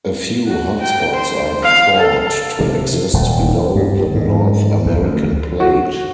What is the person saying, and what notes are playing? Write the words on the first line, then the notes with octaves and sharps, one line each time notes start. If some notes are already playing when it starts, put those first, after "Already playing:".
A few hotspots are thought to exist below the North American Plate.
F#4
G5
C5
F5
A4
C3
D#1
G2
G#2
D#2
D2
F#4